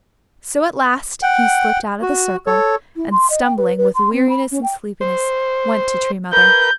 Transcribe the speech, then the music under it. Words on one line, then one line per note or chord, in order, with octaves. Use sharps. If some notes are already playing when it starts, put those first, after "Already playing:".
So at last he slipped out of the circle, and stumbling with weariness and sleepiness went to Tree Mother.
F#5 G5
F#4
A4 C#5
E4
C6
D#5
G5
B4
B4
C6
C4
B5
C#4
G5
C5
A#4 B4 G6